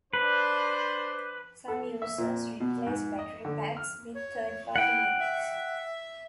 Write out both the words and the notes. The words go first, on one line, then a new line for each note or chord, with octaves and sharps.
Some users replace battery packs with third-party units.
D4 B4 C5
A4
E5
A#2
B2
G#2
D#5
D3
F6
C#5
E4 F#5 G5
E5